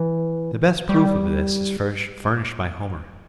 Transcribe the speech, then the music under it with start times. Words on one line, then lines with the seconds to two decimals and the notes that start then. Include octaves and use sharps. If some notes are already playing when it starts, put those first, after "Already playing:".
The best proof of this is furnished by Homer.
Already playing: E3
0.89 G3